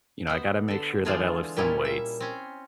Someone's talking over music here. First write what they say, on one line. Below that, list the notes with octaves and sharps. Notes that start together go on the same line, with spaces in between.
You know, I gotta make sure that I lift some weights,
B3 C5
D3 A4
D3 E3 G#3 F4 G#4 D5
A#2 G3 C#4 E4 F4
E5
C4 C#4